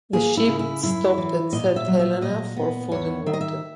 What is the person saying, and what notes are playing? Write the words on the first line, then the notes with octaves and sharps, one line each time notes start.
The ship stopped at Saint Helena for food and water.
A#3 G#4
E4
C#3
E4
F#2 E4
E3
A#2 D#5
E5
F#3
E5
A#2 D#5
B3
E2 C#5
D#3 E5
D#5
E5